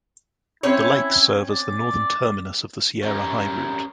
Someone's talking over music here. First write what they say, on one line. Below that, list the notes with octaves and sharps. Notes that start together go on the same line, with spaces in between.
The lakes serve as the northern terminus of the Sierra High Route.
C4 C#4 E4 C#5
D5
C#4 G4 A#4